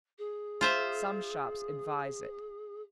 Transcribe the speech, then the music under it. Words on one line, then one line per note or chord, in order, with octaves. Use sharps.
Some shops advise it.
G#4
F4 C5 E5